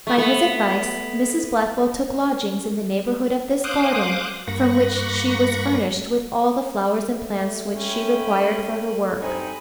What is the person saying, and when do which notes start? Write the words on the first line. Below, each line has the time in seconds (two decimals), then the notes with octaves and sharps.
By his advice Mrs Blackwell took lodgings in the neighbourhood of this garden, from which she was furnished with all the flowers and plants which she required for her work.
0.07 A3
0.18 A3 B3
3.64 C5 F5 D6 D#6 F#6
4.47 G2 A#3 F#5 B5 C#6 A#6
7.07 A3
7.76 C#4 G5 B5
8.09 A4
9.21 G2 C4 D#4 G#5 B5